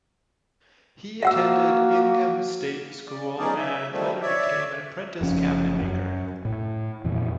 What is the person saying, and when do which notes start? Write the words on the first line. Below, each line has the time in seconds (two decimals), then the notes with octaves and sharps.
He attended Ingham State School and later became an apprentice cabinet-maker.
1.23 A#3 F#4 E5 F#5 E6
3.08 D5
3.38 F#3 B3 C#4 D#4 G#4 D5
3.57 E5
3.91 D#3 F3 G3 A3 C4
4.22 C#5 D5 E5
5.21 F#1 F3 C#4
5.82 F#2
6.45 A2
7.04 F2 A#2 E3